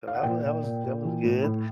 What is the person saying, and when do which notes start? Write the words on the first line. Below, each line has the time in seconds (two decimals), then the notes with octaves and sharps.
so that wa that was that was good,
0.07 F5
0.15 F#5
0.23 A#2 G5
0.43 A#2
0.63 A#2
0.84 A#2
1.04 E3
1.24 A2
1.44 A2